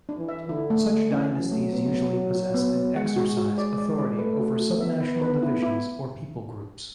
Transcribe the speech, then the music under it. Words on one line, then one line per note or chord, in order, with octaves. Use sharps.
Such dynasties usually possess and exercise authority over subnational divisions or people groups.
D4
E3
E5
D3 E4
A3
A3
E3 C#4
C#4
F#3
A3
B3
B3
F#4
F#4
B3
B3
G#3 F#5
F#4
F#4
D5
D5
D5
A3 B4
F#4
F#4
B3 E5
B4
B4
E4
E4